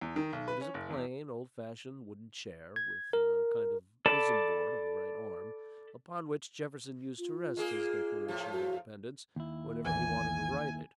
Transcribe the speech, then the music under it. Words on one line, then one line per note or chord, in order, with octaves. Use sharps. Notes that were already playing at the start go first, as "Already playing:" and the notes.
It is a plain, old-fashioned wooden chair, with a kind of bosom-board on the right arm, upon which Jefferson used to rest his Declaration of Independence whenever he wanted to write it.
E2
D#3
B1
B4
C#4
F#1
E2
G#6
A#4
A4 D5 A5 B5
F4
G#3 A#3 G#4
A2 F3
F#4
D#2 E4
A#1 E2 E3 G#5